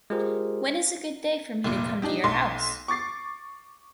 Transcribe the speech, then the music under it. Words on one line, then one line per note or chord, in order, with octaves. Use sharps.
When is a good day for me to come to your house?
G#3 F4 G4 G#4 A#4 C5
F1 A#2
D4 D#4 G4
B1 C6 A#6
C#6 D6 A6 C7